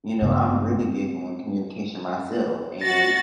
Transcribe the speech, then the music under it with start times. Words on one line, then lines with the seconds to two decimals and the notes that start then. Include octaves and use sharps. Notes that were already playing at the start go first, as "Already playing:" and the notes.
You know, I'm really big on communication myself and,
0.22 G2 C#3 B3
0.70 G#3 A3 C4
2.81 F#4 A6 A#6